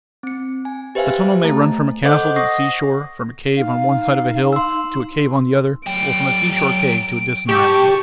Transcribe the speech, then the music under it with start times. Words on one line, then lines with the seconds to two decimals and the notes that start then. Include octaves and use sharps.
The tunnel may run from a castle to the seashore, from a cave on one side of a hill to a cave on the other, or from a seashore cave to a distant island.
0.23 C4 C#7
0.65 G#5
0.95 G4 B4 C5 E5 F5 G#5
1.44 A3 A5
2.04 A4 C5 D#5 F#5 D6 G6
2.36 F#5 C#6 D#6 A#6 C7
3.57 D#4 F5
4.53 C6 E6
5.87 F#3 G5 D7
7.49 B1 G4 A5 C#6